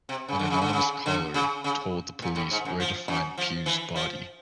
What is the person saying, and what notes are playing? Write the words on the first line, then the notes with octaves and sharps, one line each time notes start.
An anonymous caller told the police where to find Pue's body.
C3
C#3
D3
C#3
D3
C#3
D3
C#3
C#3
A#2
A2
G#2
F#2
F3
F#2
F3
E3
F3